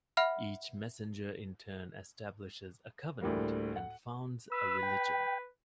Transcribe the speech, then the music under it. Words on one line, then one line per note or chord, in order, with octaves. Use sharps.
Each messenger in turn establishes a covenant and founds a religion.
E5 F#5 B5 F6
D2 A2 G3 A#3
F#5
B4 E6
G5